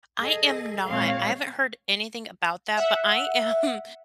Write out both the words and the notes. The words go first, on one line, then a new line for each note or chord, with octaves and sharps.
I am not. I haven't heard anything about that, but I am
G#4 A4 D#5
A#2 G#3 C4 C#5 F5
E5 F#5